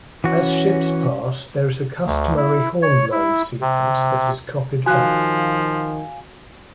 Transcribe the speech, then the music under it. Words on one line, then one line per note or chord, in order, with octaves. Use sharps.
As ships pass, there is a customary horn-blowing sequence that is copied back.
E3 C#4 F#4
D2
E4
C#5
E4
C3
D#3 F3 F#4 F5 G#5 F#6